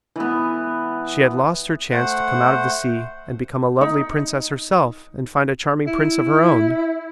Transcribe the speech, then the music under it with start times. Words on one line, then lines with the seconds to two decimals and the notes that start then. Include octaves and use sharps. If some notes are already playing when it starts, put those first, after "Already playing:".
She had lost her chance to come out of the sea and become a lovely princess herself and find a charming prince of her own.
0.16 E3 B3
1.91 A3 C5 F#5
3.81 D#4
5.87 E4